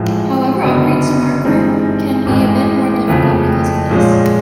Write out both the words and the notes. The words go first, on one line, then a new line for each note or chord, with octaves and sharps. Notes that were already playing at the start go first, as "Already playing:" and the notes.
However, upgrades to the marker can be a bit more difficult because of this.
Already playing: A1 A2 F3 G#3
F#1 F#2 D3 F#3 B3
G2 E3 G#3 C4 D#4
A1 A2 E3 G#3
F2 C#3 F3 A3
A#2 F3 G#3 C#4